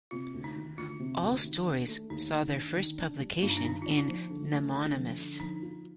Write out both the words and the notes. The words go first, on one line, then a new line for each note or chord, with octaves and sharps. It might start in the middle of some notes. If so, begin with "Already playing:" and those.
All stories saw their first publication in Nemonymous.
C3 F4
D2
D#4
D#3
D2 F4
C3
D2
D#3
D4
A3
D#2 D#4
D#3
D4
D#3
D4
G3
G2 F4
D#4
D4
D#3 D#4
F4
D4 D#4
F4
F3
D3
A3
D3
F3
D3
F3 D#4
F4